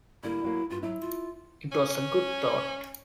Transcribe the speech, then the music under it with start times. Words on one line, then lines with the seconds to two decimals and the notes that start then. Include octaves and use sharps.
It was a good thought.
0.23 D3 G3 A#3 E4
0.44 F#3 A#3
0.70 G2 F4
0.83 F#3 E4
1.01 F4
1.72 C#4